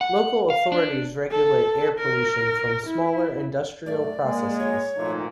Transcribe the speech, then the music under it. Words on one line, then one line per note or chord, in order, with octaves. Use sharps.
Local authorities regulate air pollution from smaller industrial processes.
F#5
F5
D4
A4
A#4
E4
G#2 F#3 A3 D5
G#3 A#3
C#5
G#1 A#2 F3 A3 D#4